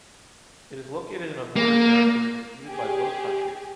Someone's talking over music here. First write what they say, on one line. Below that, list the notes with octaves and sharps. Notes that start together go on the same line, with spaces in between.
It is located in a border territory disputed by both countries.
A#3
G4 G#4